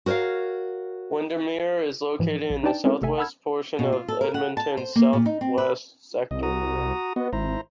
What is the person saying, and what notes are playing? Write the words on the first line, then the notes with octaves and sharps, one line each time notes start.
Windermere is located in the southwest portion of Edmonton's southwest sector.
F#4 A#4 C5 C#5 F5
G#2 E3 F3
A#1
D4 D#4 B4 D5 G5 A5
G#3 C4 C#4 E4 A4 A#4
G#1 C3 A3 A4 E5 G#5
F#5 A5 B5 E6 F6 G#6
B2
F4
A4
A#4
F#5
A5
C5
A#3
A#2
D#4
C4
B4
C2 D#5
F#4 A#5 D#6
B3 F#4 D#5
G#1 E4 C5 A#5